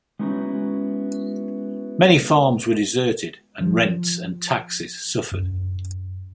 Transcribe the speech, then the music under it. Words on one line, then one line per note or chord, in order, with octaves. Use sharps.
Many farms were deserted and rents and taxes suffered.
G#3 B3 C#4 D#4 E4 F#4
F3
F#2